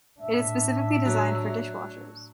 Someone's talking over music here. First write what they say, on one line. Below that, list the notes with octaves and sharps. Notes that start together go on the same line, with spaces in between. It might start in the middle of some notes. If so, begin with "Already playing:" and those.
It is specially designed for dishwashers.
A2 D4 E5
F#3